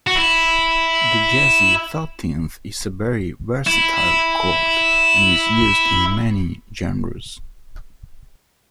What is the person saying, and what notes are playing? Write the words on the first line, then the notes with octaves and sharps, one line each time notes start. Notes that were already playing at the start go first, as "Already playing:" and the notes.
The jazzy thirteenth is a very versatile chord and is used in many genres.
F#4
E4
E4